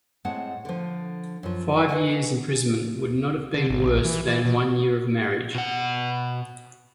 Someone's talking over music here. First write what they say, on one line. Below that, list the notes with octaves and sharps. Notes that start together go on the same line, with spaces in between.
Five years' imprisonment would not have been worse than one year of marriage.
A2 G#3 C4 F#5 A5
D3 F3
F#2 F3
B4 C5 D#5 F#5 G#5
D3
G#1
B1
E3
E3
B2
B2 F#5